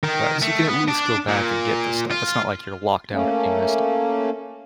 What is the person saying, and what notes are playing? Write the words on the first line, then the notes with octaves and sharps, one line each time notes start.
Right. So, you can at least go back and get the stuff, it's not like you're locked out if you missed it.
D#3
A3
B3
D4
A#2
F4
A3 A#3 C#4